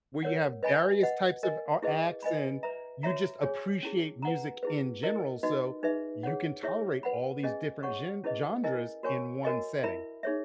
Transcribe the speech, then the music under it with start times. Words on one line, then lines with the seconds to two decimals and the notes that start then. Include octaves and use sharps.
where you have various types of, uh, acts, and you just appreciate music in general, so you can tolerate all these different gen genres in one setting,
0.23 A#4 C#5 F#5
0.63 B4 D#5 G#5 B5
1.03 B4 D#5 F#5
1.43 A#4 D#5 G#5
1.82 E4 G#4 B4 D#5
2.23 B4 D#5 G#5 B5
2.63 B4 E5 A#5
3.03 F#4 C#5 E5 A#5
3.43 G#4 C#5 G#5
3.83 C#4 E4 G#4
4.22 B4 F#5 A#5
4.63 E4 G#4 B4
5.03 E4 A#4 D#5
5.43 D#4 F#4 B4 D#5
5.83 D#4 G#4 B4 E5
6.23 G#4 C#5 F#5
6.63 E4 G#4 C#5 E5
7.03 B4 F#5 B5
7.43 C#4 G#4 D#5 G#5
7.83 G#4 C#5 F#5 C#6
8.24 C#4 E4 G#4 B4 D#5
8.64 E4 A#4 D#5 G#5
9.03 F#4 A#4 C#5 G#5 C#6
9.43 F#4 A#4 D#5 G#5
9.83 E4 A#4 E5 B5
10.23 D#4 G#4 C#5 E5